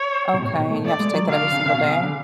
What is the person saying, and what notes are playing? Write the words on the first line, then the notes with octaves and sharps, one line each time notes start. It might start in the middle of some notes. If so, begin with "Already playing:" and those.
Okay, and you have to take that every single day?
Already playing: C#5
B2
A2
B2
A3
A3 D5
G#3
F#3
D3 F5
C#3
D3
C#3
B2
C#3
D3